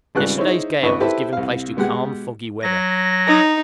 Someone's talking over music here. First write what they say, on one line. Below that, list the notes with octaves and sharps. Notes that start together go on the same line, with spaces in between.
Yesterday's gale has given place to calm foggy weather.
G#1 C#2 G3 F#6
D#4 E4 G#4 C5 C#5
G#1 C#2 B4 D#5 C#6
E4 G4 A4 B4 C5 E5
C2 F5
B2 G#3 G4 F#5
F#3 A#6
D#4